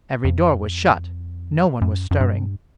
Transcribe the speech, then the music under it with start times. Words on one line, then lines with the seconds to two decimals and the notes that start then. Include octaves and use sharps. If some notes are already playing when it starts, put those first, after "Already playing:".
Every door was shut, no one was stirring.
0.25 F2
1.81 F#2
2.11 F#2
2.20 G2